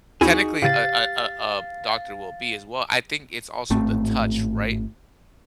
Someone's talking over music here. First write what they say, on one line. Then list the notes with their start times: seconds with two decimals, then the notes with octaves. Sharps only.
Technically a a a, uh, doctor will be as well. I think it's also the touch, right?
0.21 D#2 C4 D#4 E4 F#4 G#4
0.62 A2 C#3 G4 F5 A6
3.70 G#1 A2 A3 C4